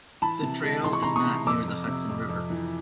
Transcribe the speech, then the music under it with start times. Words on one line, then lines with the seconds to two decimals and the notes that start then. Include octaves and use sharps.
The trail is not near the Hudson River.
0.22 E3 A5 B5
0.42 C3
0.64 G#3
0.84 E3 C6
0.93 C#6
1.03 C3 A#5 C6
1.16 C#6 D#6
1.26 C3
1.46 F2 D6 E6
1.68 F2
1.87 C3
2.09 F2
2.29 F2
2.50 E3